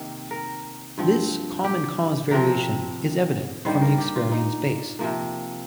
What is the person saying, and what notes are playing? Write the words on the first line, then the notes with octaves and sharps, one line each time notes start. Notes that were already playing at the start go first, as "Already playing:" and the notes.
This "common-cause variation" is evident from the experience base.
Already playing: C3 D#3 A#3
A#4
G2 F3 C4
G4
C3 F3 C4 A#4
G2 D#3 G3 A#3 C5
A#4
G4
F4
D#4
C3 F3 A#3